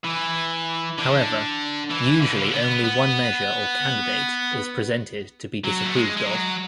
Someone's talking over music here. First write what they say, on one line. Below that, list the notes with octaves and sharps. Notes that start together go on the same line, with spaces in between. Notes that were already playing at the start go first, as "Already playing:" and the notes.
However, usually only one measure or candidate is presented to be disapproved of.
E3
D3
E3
D3
C#3
D3
B3
B3
F#3
A3
G#3
G#3
F#3